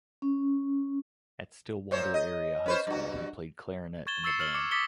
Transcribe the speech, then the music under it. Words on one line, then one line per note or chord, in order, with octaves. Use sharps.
At Stillwater Area High School, he played clarinet in the band.
C#4
A#2 C5 C#5
D#5
C#4 B4 C5
G2 F#4
C#6 G#6 A6 E7 G7
C#6 E6 A6 C7 C#7 E7
F6 F#7 G7
D6 C#7
D6 D#6 A6 B6 C#7 G7